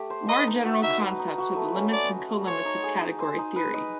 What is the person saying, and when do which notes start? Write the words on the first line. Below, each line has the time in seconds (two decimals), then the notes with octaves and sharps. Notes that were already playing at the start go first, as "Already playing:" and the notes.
More general concepts are the limits and colimits of category theory.
Already playing: A3 G4
0.10 C5
0.29 B4 D#5
0.47 D#4
0.65 F#4
0.83 D#4 E5
1.01 B4
1.19 D#4
1.38 F#4
1.56 A3
1.75 C#4
1.92 A3 D5
2.10 F#4
2.29 A3
2.47 C5 C#5
2.65 D#4
2.84 G#4
3.01 D#4
3.20 C5
3.38 D#4
3.56 B4
3.74 D#5